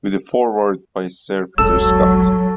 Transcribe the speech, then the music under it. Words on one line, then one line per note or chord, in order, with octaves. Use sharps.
With a Foreword by Sir Peter Scott.
D#1 A#1 G#2 F#3 A4 E6